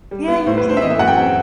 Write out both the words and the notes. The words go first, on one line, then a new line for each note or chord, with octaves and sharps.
Yeah, you too.
G3
B3
A2 C5
B4
A2
C5
E5
E3 D#5
E5
F#2 F#5
G5
C4 F#5